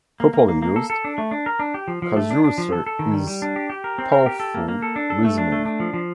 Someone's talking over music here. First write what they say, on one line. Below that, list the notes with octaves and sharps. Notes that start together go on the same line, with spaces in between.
Properly used, casuistry is powerful reasoning.
A#3
A#3
A#3
A#3
A4
A4
D4
A3
D4
A#4
D4
G4
F3
F3
A3
D4
D4
F3
A4
A4
D#3
G3
G3
D4
G4
G4
A#4
C4
A#4
G4
A4
A#3
A#3
A4
D4
A4
A3
D4
A3
D4
F3
F3